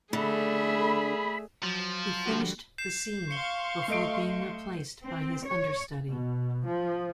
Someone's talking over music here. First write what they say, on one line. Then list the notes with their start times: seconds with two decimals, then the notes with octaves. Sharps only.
He finished the scene before being replaced by his understudy.
0.13 D3 A3 G#4 E5 B5
1.63 F3 F#3
2.26 D3 G3 F#4
2.78 G6 C7 E7
3.31 F5 C6 C#6 C#7 G7
3.88 A3 D#5 D7
5.06 C4
5.47 C#5
6.08 B2
6.65 F3